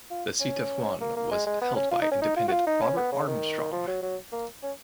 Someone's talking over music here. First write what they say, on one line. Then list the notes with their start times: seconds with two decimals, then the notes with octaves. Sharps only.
The seat of Huon was held by independent Robert Armstrong.
0.10 F4
0.40 C#4
1.01 A#3
1.16 A#3
1.31 G#3
1.47 G#3
1.61 B3
1.76 C#4
1.91 F4
2.02 D#4
2.11 C#4
2.22 D#4
2.36 F4
2.48 F#4
2.52 F4
2.67 D#4
2.82 C#4
2.97 B3
3.12 C#3
3.27 D#3
3.72 F3
3.88 F#3
4.02 F#3
4.32 A#3
4.63 C#4